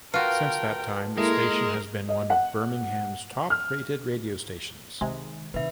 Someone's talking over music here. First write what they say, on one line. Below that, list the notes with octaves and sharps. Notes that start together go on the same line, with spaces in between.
Since that time, the station has been one of Birmingham's top rated radio stations.
F4 F#4 A#4 B4 G5 A5
G#3 A#3 E4 A4 A#4
D#5
F#5
F6
C3 D#3 G#3
C3 D#3 B4 E5